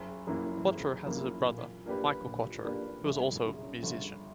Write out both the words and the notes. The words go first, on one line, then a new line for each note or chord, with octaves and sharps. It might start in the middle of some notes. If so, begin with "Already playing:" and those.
Quatro has a brother, Michael Quatro, who is also a musician.
Already playing: F#1
F#2 E3 A#3 E4
F#1
F#2 E3 A#3 E4
A#2
A#3 D4 G4 B4
A#2
A#3 D4 G4 B4
G1
F#2 C#3
G1